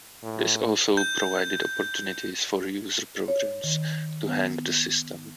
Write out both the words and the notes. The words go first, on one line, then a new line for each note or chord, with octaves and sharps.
This also provided opportunities for user programs to hang the system.
A2
G6
C#5
D#3
B3